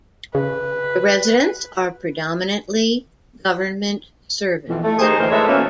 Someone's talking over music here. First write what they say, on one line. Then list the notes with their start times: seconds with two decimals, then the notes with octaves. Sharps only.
The residents are predominantly government servants.
0.35 C#3 B4
4.69 F2 B2 E3
4.84 A3
4.99 D#2 D#4 G4 G#4 C5
5.18 D2 A2 E3 A3 A#4 C5
5.31 G#3 A3 B4 C#5 D#5 E5
5.48 B2 E3 A3 A#3 C#4